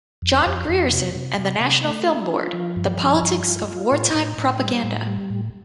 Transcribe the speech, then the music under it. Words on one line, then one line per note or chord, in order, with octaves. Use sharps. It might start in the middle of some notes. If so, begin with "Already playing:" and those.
John Grierson and the National Film Board: The Politics of Wartime Propaganda.
F2
F2
F2
C3
C3
C3
C3
A3
D4
F4
F3
G2
F3
G2
F4
F4
A2
A2
A2
G3
A2
G3
A2